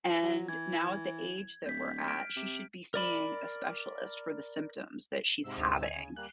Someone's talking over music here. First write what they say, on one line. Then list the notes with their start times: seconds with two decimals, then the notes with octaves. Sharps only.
And now at the age that we're at, she should be seeing a specialist for the symptoms that she's having,
0.22 F#3
0.49 E3 G#6
1.66 D1 G6 B6
2.04 F6 D7
2.36 C3
2.94 A#4 D5 B5
5.45 G#2 C3 E6
5.58 D2
5.83 G#5
5.95 C#3
6.16 G3 A#3 F#6